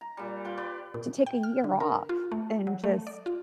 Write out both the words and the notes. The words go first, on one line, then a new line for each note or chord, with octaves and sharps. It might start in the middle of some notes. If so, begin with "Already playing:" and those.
to take a year off, and just,
A#5
A#2 G3
F4 B4 G5
G4 B4 D5
A#2
G5
F6
D3
A#4
F4
A3
F#3
A3
D5
F4